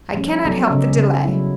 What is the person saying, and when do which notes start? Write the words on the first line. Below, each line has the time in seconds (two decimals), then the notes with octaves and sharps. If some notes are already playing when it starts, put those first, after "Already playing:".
"I cannot help the delay."
0.14 F3 G3 A3 C#4
0.45 F#3 B3 D#4 G4 A4 D5
0.70 C#3 C#4 D#5 E5
0.91 C#3 G3
1.25 F#3 E4